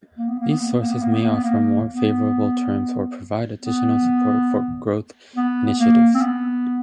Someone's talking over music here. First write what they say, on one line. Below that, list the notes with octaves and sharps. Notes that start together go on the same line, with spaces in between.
These sources may offer more favorable terms or provide additional support for growth initiatives.
A#3
B3
A#3
B3
A#3
B3
A#3
B3
A#3
B3
A#3
B3
A#3
B3
B3
B3
A#3
C4
B3